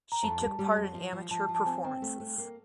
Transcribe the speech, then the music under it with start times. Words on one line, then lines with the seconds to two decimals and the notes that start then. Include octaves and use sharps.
She took part in amateur performances.
0.12 A#5
0.23 F2 A5
0.41 G3
0.59 G3
0.76 F2
0.94 F3
1.13 F3
1.31 F3 A5
1.49 F3
1.55 A5
1.66 C4 G#5
1.84 C4 G5
2.02 A3
2.20 A3
2.38 A#3